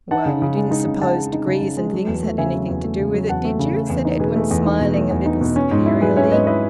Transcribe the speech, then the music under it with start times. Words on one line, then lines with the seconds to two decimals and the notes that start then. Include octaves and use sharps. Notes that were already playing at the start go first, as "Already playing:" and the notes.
"Well, you didn't suppose degrees and things had anything to do with it, did you?" said Edwin, smiling a little superiorly.
0.11 D#4 F#5 A5
0.26 C#3
0.42 C#3
0.57 G#3
0.71 D#4
0.87 C#3
1.01 C#3 F#5 A5
1.17 G#3
1.33 D#4
1.47 C#3
1.62 C#3
1.77 G#3
1.93 F#3
2.07 E2
2.23 A3
2.38 C#3 E5 G#5
2.53 F#3
2.68 E2
2.84 A3
2.99 C#3
3.14 F#3
3.29 E2 F#5 A5
3.45 A3
3.59 C#3
3.74 A3
3.89 E2
4.05 D#4
4.20 B2 G#4 B4
4.36 A3
4.51 E2
4.65 D#4
4.80 B2
4.96 A3
5.10 E2
5.26 D#4
5.41 B2
5.56 C#4
5.71 G#2
5.86 E4
6.01 F#3 G#4 B4
6.16 C#4 C#5 E5
6.31 G#2 B4 D#5
6.46 E4 B4 D#5